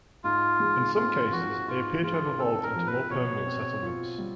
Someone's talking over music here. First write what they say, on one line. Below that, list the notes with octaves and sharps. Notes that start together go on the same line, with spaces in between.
In some cases, they appear to have evolved into more permanent settlements.
G#2 F4
G#3
C4 F4
F3 F#4
G#2 F4
G#3 F4
C4 A4
A#4
F3
B4
B2 C#5
C4
F4
G3